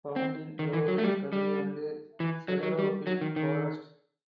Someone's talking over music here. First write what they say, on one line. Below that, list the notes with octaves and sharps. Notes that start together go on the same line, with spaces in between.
Found in low heath country and sclerophyll forest.
C4
D#3
E3
F#3
A3
G3
G3
E3
F#3
F#3
G3
F#3
D#3
D#3